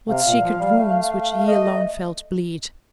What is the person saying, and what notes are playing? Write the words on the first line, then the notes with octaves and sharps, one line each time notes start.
What secret wounds which he alone felt bleed!
C3 F5
A#2
F3
G3
A3
F5
D#5